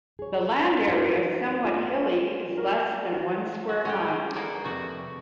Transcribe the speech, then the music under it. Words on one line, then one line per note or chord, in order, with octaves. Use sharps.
The land area, somewhat hilly, is less than one square mile.
G#4 C#5
D#4 F#4 G4 A#4 B4
A3 B3 D4 F4 A4
A#4
F#4
F#4 C#5 F#5
C#4 G4 G#4 F#5
A#3 B3 G#4 A4 D5
F2 C3 A3 F#4 D5